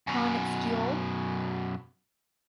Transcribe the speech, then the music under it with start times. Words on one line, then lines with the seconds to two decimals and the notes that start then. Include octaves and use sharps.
Carnets Geol.
0.07 F#2 B2